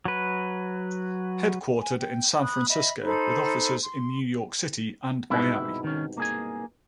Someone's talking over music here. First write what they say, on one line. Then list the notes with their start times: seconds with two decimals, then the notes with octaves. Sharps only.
Headquartered in San Francisco, with offices in New York City and Miami.
0.05 F#3 B4
1.80 G#5
1.99 G5
2.40 B5 D#6 F#6
2.68 D#5 E5 B5
3.03 D#4 A4 C5 B5
3.83 C6
5.30 C2 G#2 B2 E4
5.84 D#3 C#4
6.18 A#3 G#4 G#5